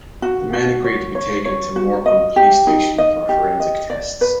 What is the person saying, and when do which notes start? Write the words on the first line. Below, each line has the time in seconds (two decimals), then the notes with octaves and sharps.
The men agreed to be taken to Morecambe police station for forensic tests.
0.22 F#4
0.53 F#4
0.84 C#5
1.15 C#5
1.45 C#5
1.76 F#4
2.06 D#5
2.36 G4
2.67 D#4
2.98 D#5
3.29 G4
3.60 D#5
3.90 D5
4.21 B4